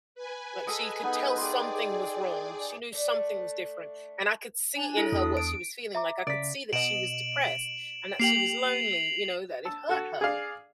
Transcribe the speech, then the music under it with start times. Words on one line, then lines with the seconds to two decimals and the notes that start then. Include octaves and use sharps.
like, she could tell something was wrong. She knew something was different, and I could see in her what she was feeling, like, I could see that she was depressed and that she was lonely, you know, that it hurt her.
0.15 B4 G#5
0.67 G#4 A4 D#5
1.03 B3 D#4
1.37 G4 G#4 D5 C6
2.92 A3 D4
4.76 D4 G#5
4.97 E4 A4
5.12 E2 D4 D#6
5.37 D7
5.95 E5 A#5 D6
6.27 C#3 D5 B6
6.73 B2 D#5 D7 E7 F#7
8.20 A#3 G4 G5 C7 F7 F#7
9.65 A5 E6
9.89 F#4 A4
10.21 G#4 D5 F5